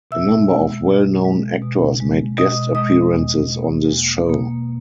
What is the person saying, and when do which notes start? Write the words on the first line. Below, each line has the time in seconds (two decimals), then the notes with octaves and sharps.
A number of well-known actors made guest appearances on this show.
0.11 B2 E5 E6
0.49 G#3
0.87 B2
1.25 G#3
1.62 B2
2.00 G#3
2.38 B2 D#5 D#6
2.75 G#3 D#5 D#6
3.13 E2
3.50 B2 A#3
3.88 E2
4.27 B2 A#3